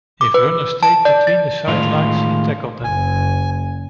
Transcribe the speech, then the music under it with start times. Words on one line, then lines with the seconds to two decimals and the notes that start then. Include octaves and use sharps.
If runners stayed between the sidelines, he tackled them.
0.21 D6
0.34 B4
0.83 A5
1.05 D5
1.27 A6
1.68 A2 D#3 G#3 F4
2.84 F#1 G#5